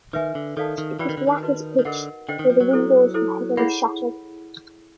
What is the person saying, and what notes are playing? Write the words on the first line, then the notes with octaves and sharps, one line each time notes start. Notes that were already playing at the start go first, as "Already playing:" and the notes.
It was black as pitch, for the windows were heavily shuttered.
D#3 B4 E5 G#5
D3
D#3 A4 D5 F5 A5
D#3
E3 F#4 B4 D5 G5 B5
D#3
D3
D#3
D#4 F#4 B4
D#3
D3 A#4 D#5 F#5
D3 C5 D#5 G5
D#3
F3
F#3
E4 A4 C5
E4 A4 C5
A#3 E4 G#4 C#5 F#5 B5